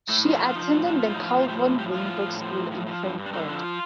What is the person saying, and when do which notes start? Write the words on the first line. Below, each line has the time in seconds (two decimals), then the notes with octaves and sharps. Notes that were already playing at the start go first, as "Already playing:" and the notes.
She attended the Carl von Weinberg School in Frankfurt.
0.09 A2 A3
0.25 F3
0.33 A3
0.41 A2 F4
0.55 F3 D#4
0.71 A2 D4
0.86 F3 D4
1.02 A2 F4
1.13 F3 D#4
1.24 F4
1.33 A2
1.39 F4
1.48 F3 G4
1.64 A2
1.78 F3 G4
1.94 A2 F4
2.09 F3
2.26 A2
2.41 F3
2.56 A2
2.72 F3
2.87 F3
3.03 G2
3.18 G2
3.26 D4
3.33 D3 D#4
3.49 F3 D4
3.64 F4